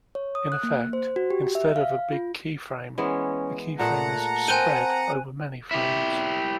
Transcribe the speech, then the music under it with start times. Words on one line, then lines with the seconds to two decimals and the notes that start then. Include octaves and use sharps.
In effect, instead of a big keyframe, the keyframe is "spread" over many frames.
0.15 C#5
0.35 D#6
0.52 F#6
0.63 A#3
0.93 C5
1.16 F#4
1.30 G4
1.55 E5
1.76 F5
2.12 F4
2.98 E3 G#3 B3 C#4
3.79 A#2 A3 G#4 F#5 A5 A#5
4.48 C4 A#4 G5 G#5 F#6 D#7
5.71 E4 G4